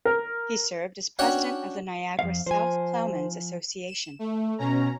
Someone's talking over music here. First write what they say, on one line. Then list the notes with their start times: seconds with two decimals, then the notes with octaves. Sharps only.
He served as president of the Niagara South Plowman's Association.
0.05 A#4
1.19 C#4 D4 F#4 C#5 F#5 G5
2.19 F2 F5
2.46 F3 C5 G#5
3.87 E7
4.19 A3
4.58 B2 C#4 A#5